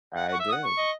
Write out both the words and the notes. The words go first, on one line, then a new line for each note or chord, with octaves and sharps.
I did.
F#5
F#5 C#6
E5
D#6
F#5
C#6
D#5